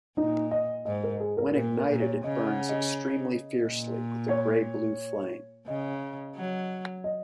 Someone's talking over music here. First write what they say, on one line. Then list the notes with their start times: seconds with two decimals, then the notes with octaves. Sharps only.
When ignited it burns extremely fiercely with a gray-blue flame.
0.17 A#2 D#4
0.51 D#5
0.85 G#2 D#5
1.04 A#4
1.20 G#4
1.37 A#4
1.54 A#2 A#4
1.77 A#4
1.89 A#2
2.00 C#5
2.24 C#3 D#5
2.46 F#5
2.69 D#5
3.61 A#2
4.29 C#5
5.67 C#3 D#5
6.36 F#3
7.04 D#5